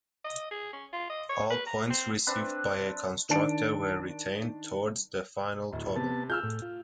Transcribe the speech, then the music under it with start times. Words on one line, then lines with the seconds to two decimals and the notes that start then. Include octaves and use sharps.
All points received by a constructor were retained towards the final total.
0.24 D#5
0.51 G#4
0.73 C#4
0.92 F4
1.10 D#5
1.29 C#5
1.50 B4
1.67 A#5
1.90 C4
2.27 C4 D4 B4 E5
3.29 D#3 D4 A5 D7
5.73 D1
5.96 C3 B3 A5
6.30 F4 G#4 E6 F6 G6
6.44 A2
6.62 F4